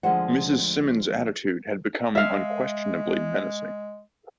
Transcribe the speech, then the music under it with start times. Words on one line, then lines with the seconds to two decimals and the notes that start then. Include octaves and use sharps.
Mrs. Simmons's attitude had become unquestionably menacing.
0.03 D2 F3 G#3 F4 C5 F#5
2.15 G#3 E5 F5